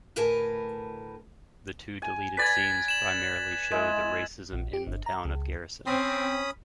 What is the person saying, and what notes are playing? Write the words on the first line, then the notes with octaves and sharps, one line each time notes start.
The two deleted scenes primarily show the racism in the town of Garrison.
D2 A2 A#4 B4 G#5 A5
G#5
B4 D5 G#5 G#6 A6 B6
E7 F#7
G#3 E4
A#1
G4
G1
A#5
C#2
C4 C#4 B5 D#6